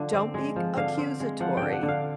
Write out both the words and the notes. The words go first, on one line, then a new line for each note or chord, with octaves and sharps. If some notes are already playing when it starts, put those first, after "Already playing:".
don't be c accusatory,
Already playing: D3 F3
C4
G#3
F3
D3 F5
C4
G#3
F3 F#5
D3 G5
F#5
D3
F5